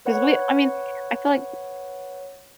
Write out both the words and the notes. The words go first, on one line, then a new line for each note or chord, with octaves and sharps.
'Cause we I mean I feel, like,
B4 C#5 F#5